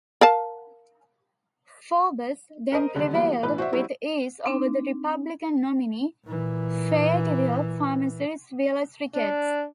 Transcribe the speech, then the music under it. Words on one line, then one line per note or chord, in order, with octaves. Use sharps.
Faubus then prevailed with ease over the Republican nominee, Fayetteville pharmacist Willis Ricketts.
A#4 F5 A5
A#4 C5 D#5
D#2 D3 G3
E3 F#3 G3 A#3 B3
B1 A2 E3 B4
F#4 C5 D5 E5
F#3 G3 C4 E4 F#4
C4 D4 D#4
A#2 E3
D4